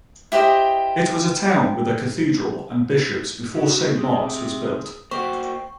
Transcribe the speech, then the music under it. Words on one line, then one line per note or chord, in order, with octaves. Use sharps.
It was a town with a cathedral and bishops before Saint Mark's was built.
E4 G4 C5 D#5
C#3 F#4
C3 G#4
A#3 F#4 C5 G5 C#6